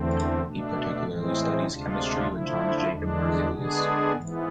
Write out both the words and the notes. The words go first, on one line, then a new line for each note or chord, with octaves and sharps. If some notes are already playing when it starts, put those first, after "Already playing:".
He particularly studies chemistry with Jöns Jakob Berzelius.
Already playing: E2 D3 A3 C4
B2 A3 D4
A2 E3 G#3 C4
D2 C3 G#3 D4 F4
D3 F3 A3 E4
E2 D3 G#3 D4
D3 G#3 B3 D4 G#4
G#2 E3 B3